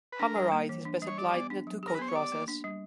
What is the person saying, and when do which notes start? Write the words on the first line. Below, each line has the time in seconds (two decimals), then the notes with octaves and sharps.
Hammerite is best applied in a two coat process.
0.12 B4
0.20 D4 A#4
0.36 G3
0.52 A#3
0.69 E3
0.85 D4
1.02 G3
1.07 C#5
1.18 G4 D5
1.34 B3
1.50 D4
1.67 F#3
1.83 G4 A#4
1.95 B4
1.99 B3 C5
2.08 C#5
2.15 G4 D5
2.32 A#3
2.48 D4
2.64 G3